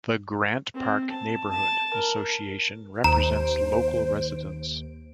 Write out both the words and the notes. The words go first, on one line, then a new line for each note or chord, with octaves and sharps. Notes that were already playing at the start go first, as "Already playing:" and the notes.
The Grant Park Neighborhood Association represents local residents.
C4
A5
A5
A#4
D#2 C5 A#5 D7